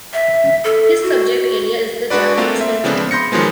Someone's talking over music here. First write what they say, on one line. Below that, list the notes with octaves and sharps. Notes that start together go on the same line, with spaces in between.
His subject area is the Japanese Culture.
E5
A4
F#4
G#3 D4 F#4 B4 D5
A3 A#3 C4 F4 F5
E5
C#3 F3 G#3 B3 C4 D4
B5 C6 G6 A#6 C#7
D#3 F3 F#3 G#3 B3